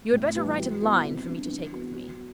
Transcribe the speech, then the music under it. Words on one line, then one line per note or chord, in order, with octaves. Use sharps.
You had better write a line for me to take with me.
A2
E3 G3
F#3
B3 E4
C3
G3 D4
E3
B3 F#4
F#3